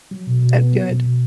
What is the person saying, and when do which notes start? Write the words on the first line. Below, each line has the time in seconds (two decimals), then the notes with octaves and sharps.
That good.
0.11 F#3
0.27 B2
0.42 B2
0.58 B3
0.73 F#3
0.89 B2
1.03 B2